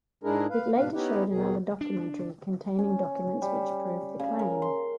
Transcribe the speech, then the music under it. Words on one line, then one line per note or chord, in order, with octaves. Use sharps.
It later showed another documentary containing documents which proved the claim.
G#2 G#3 D4 E4 G#4 A#4
B4 F5
G#2 B2 D4 B4 F5
B3 C#4 D#4 E4 G4 B4
D#2 B2 D#3 F#3 G#4
D4
C#4
G3
C#3
A#4
C6